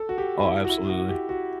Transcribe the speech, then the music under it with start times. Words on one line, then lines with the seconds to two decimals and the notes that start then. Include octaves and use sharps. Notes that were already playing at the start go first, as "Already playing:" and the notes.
Oh, absolutely.
Already playing: A4
0.09 F#4
0.18 G4
0.43 E4
0.65 F#4
0.69 E4
0.90 F#4
1.09 G4
1.29 F#4